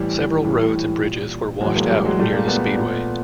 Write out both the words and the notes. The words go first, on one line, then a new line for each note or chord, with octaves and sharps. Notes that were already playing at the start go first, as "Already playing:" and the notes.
Several roads and bridges were washed out near the speedway.
Already playing: A2 E3 G3
A2 E3 G3
A#2
A2 E3 F#3 G#3
G#3 A#3
G3
F#3 G#3
A#2 G3 A3
G#3 A#3
A3 B3
A#2